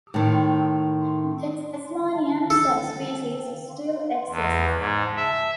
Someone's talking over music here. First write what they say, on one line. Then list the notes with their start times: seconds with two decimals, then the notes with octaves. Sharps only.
The Tasmanian subspecies still exists.
0.14 A2 D#3
2.50 A4
4.30 E2
4.78 G#2
5.17 E5